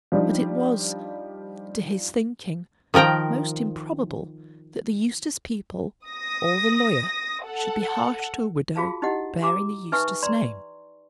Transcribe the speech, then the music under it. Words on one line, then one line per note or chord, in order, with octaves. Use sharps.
But it was, to his thinking, most improbable that the Eustace people or the lawyer should be harsh to a widow bearing the Eustace name.
F3 G3 D4 D#4
D#3 F3 A#4 G5 A#5
D#6 A#6
A4 F#5
F4 F#4 G#4 F5 A5
D#4 E4 G4 D#5 F#5
G4 A#5 D6
D#4 B4 E5 G#5 C#6
D5 A#5 C6